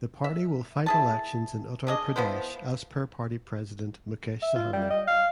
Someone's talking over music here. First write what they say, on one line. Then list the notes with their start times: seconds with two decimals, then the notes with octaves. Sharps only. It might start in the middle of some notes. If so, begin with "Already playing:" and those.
The Party will fight Elections in Uttar Pradesh as per Party President Mukesh Sahani.
0.24 E5
0.86 E4 G#4 A5
1.87 D4 G#4 D#5
2.16 F3 B3 E4 C5
4.42 E5
4.56 F4
4.73 G3
4.90 D#5
5.07 F5